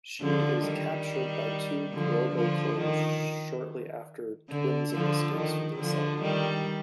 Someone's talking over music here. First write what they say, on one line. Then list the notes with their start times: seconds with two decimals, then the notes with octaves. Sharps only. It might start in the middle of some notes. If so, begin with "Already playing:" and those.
She is captured by two Grobo clones shortly after Twinsen escapes from the asylum.
0.22 D3 F3
0.64 D#3 G3
1.93 D3 F3
2.35 D3 F3
2.79 D#3
4.50 D3
4.93 D3 F3
5.36 D#3
5.78 D3 F3
6.21 D#3 G3